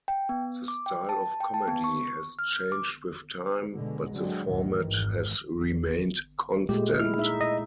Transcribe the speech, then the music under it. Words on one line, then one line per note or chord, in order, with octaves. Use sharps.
The style of comedy has changed with time, but the format has remained constant.
G5
B3
D6
G5
A5
G5
A5
B3
C#6
F6
D6
B2 D3 G#3
D3 F#3 G#3 C4
D2 G2 A#2 D#3 E3
G#1 F2
A#2 G#3 A3 G4
E4 F6
D#4 E5
D#5